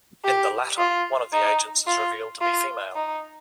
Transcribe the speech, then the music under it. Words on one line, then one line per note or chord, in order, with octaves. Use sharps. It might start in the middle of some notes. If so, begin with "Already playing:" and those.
In the latter, one of the agents is revealed to be female.
G4
F4
D#4
F4
F4
D#4